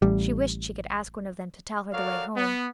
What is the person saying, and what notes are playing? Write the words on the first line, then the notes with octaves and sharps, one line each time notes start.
She wished she could ask one of them to tell her the way home.
A1 G3
F#4 A4 A#4 C#5 D5 F5
B3